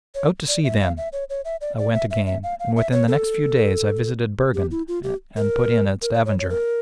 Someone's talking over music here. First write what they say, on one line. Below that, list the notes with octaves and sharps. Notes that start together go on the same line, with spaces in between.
Out to sea, then, I went again; and within the next few days I visited Bergen, and put in at Stavanger.
C#5
D5
E5
F5
E5
C#5
C#5
E5
D5
D5
E5
E5
E5
F5
F5
E5
C#5
A4
G4
E4
F4
G4
A#4
A#4
C#5
C#5
C#5
A#4